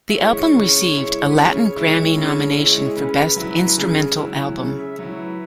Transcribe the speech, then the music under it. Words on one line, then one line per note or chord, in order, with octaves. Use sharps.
The album received a Latin Grammy nomination for Best Instrumental Album.
E5
G#3 E4 C#5
C#3
G#3 E4
B4
C#3 C#5
G#3 E4
C#3
G#3 E4
G#4
C#3 B4
F#3 E4
C#3 C#4
F#3 E4
C#3 C#5
E5
E5
F#3 E4 C#5
B4